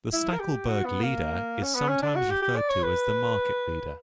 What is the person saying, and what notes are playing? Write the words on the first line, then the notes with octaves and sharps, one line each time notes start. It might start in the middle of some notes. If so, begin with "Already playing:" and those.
The Stackelberg leader is sometimes referred to as the Market Leader.
E4
A#4
G4
F#4
B3
A#3
C#4
B3
C#4
D4
F#4
G4
G4
D5
C#5
B4